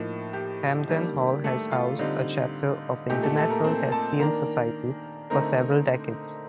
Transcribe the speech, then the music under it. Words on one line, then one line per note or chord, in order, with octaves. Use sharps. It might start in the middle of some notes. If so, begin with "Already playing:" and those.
Hamden Hall has housed a chapter of the International Thespian Society for several decades.
Already playing: A2 F3 A#3 D#4
G4
D#3 G3 A#3 D4
A3 A4
F4
D3 G3 C4 D#4
A#2 A3 D#4 G4
A3 A4
A3 A4
A#3 A#4
C4 C5
A4 A5
D#3 A#3 D4 A#4 A#5
D3 A3 C4 D#4 A#4 A#5